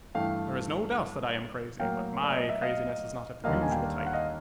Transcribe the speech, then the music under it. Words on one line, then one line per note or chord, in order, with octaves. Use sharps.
There is no doubt that I am crazy, but my craziness is not of the usual type.
G2 E3 A3 F5 G5
A2 F#3 A#3 F5 G5
D5
D#5
E5
D#5 F5
D#2 D3 G3 A#3 D#5 F5
G#5
F5 G5
F5
F#5
D#5 F5